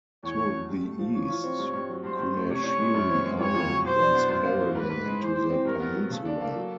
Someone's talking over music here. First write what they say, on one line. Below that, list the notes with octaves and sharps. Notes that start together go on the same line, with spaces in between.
To the east, Kunashiri Island runs parallel to the peninsula.
E2 C#5
A3
F#3
G2
A3
F3
E3 C#5
F4
C4
G2
G2
F#3
G2 C5
G2
A3
C3 C#5
C#4
G#3
F#2
C4
G#3
F2 C#5
F2
F#3
B2 C5
D4
B3
F#2 C5
A#3
F#3
G#2 B4
G#2
G#3
E3 C5
E3
C4
G2 A#4
B3
F#3
C#3 A4
D4
A#3
F#3